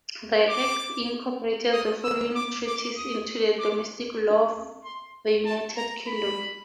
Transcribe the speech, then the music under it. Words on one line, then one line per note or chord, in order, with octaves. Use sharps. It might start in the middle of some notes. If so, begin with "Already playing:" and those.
The Act incorporated the following treaties into the domestic law of the United Kingdom.
D6
D#6
E6
D6
D6
D#6
D6
C6
A5
A#5
B5